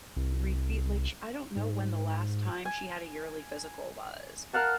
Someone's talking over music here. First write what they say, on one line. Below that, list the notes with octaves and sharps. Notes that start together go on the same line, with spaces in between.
refu like sh I don't know when the last time she had a yearly physical was.
C2
G#2
G#5
A#4 F5 F#5 A5